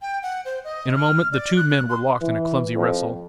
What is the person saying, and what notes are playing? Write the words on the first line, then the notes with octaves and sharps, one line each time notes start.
In a moment the two men were locked in a clumsy wrestle.
G5
F#5
C5
D#5
F6
D5
F#6
F#6
C6
E3
F2